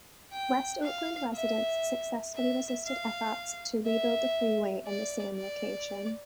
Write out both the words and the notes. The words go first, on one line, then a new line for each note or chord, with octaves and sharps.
West Oakland residents successfully resisted efforts to rebuild the freeway in the same location.
G5
F5
E5
E5
F5
E5
D5
D5